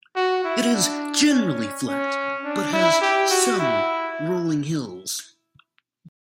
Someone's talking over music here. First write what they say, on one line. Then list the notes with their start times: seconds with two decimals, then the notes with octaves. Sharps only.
It is generally flat, but has some rolling hills.
0.16 F#4
0.44 E4
0.73 D4
1.30 C#4
1.87 C#4
2.44 D4
2.73 E4
3.02 G4
3.31 F#4
3.59 E4